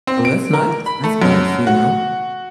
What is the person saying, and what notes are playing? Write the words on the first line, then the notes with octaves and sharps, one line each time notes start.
Well, that's nice that's nice, you know,
C4
D7
A#4
B5
A3
F#2
F#4